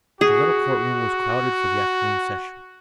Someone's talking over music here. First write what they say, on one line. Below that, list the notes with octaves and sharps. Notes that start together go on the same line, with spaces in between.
The little Court Room was crowded for the afternoon session.
F#4 G#4